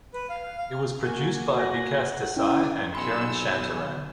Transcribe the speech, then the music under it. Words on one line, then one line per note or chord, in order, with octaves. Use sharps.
It was produced by Vikas Desai and Kiran Shantaram.
B4
F5
F5
F5
F6
A#3 F#4 G#5
F#5 A#6
F#5
C#4 E4 G5 D#7
B1 G#5 B5 C6 E6 C#7